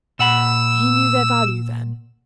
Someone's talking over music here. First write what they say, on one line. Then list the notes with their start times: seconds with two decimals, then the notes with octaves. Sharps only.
"He knew their value, then?"
0.19 A#2 F#5 B5 E6